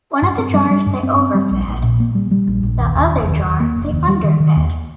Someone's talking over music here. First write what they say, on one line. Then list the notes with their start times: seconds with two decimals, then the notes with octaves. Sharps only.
One of the jars they overfed, the other jar they underfed.
0.22 G2
0.39 C4
0.54 G3
0.71 G3
0.86 G2
1.03 C4
1.19 C4
1.35 G3
1.51 A#1
1.67 A#1
1.83 A#2
2.00 A#3
2.15 G3
2.31 G3
2.47 A#1
2.63 A#1
2.80 D#2
2.95 D#2
3.12 F1
3.28 D#2
3.44 D#2
3.60 A#3
3.76 F1
3.92 D#2
4.08 G3
4.24 D#3
4.40 D#3
4.56 D#2